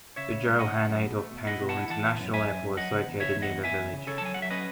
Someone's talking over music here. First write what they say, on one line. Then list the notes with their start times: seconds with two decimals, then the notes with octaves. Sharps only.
The Johan Adolf Pengel International Airport is located near the village.
0.16 C#3 C#5 E5
0.31 C#3
0.46 G#3
0.59 C#3 D#5 F#5
0.75 C#3
0.89 F#2
1.03 B2
1.18 A3
1.32 B2
1.46 E4 D#5 F#5
1.61 B2
1.69 F#5 A5
1.76 E4
1.90 E3 F#5 A5
2.05 B3
2.20 F#2
2.33 F#2 E5 G#5
2.48 F#2
2.63 F#2
2.77 F#3 D#5 F#5
2.91 C#3
3.06 E2
3.20 C#3 C#5 E5
3.35 E2
3.42 D#5 F#5
3.50 E2
3.64 E2 E5 G#5
3.78 E2
3.93 C#3
4.07 C#3 A4 C#5
4.18 A5
4.22 F#3 G#5
4.34 F#3 F#5
4.42 E5
4.50 C#4 B4 D#5